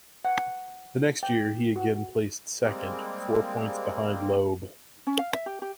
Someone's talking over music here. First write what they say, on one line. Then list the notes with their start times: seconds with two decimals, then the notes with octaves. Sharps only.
The next year he again placed second, four points behind Loeb.
0.25 F#5
1.23 G5
1.76 F#4
2.62 G3 G#3 A#3 C4
5.07 C#4
5.19 F5
5.34 E5
5.46 G4
5.62 G4